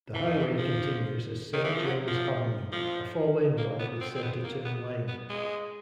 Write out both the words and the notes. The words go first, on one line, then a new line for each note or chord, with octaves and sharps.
The highway continues as Saint James Avenue, a four-lane road with center turn lane.
E3
D#3
E3
F3
D#3
E3
F3
F#3
F3
F3
A#3
B3
C4
C4
B3
A#3
B3
B3
G#3